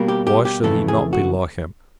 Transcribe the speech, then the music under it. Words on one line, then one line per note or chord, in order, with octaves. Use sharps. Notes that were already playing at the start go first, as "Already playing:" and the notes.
Why should he not be like him?
Already playing: B2 G3 A#3
G4
G4
G4
F2 C#3 E3 A3 A4
G#4
F#4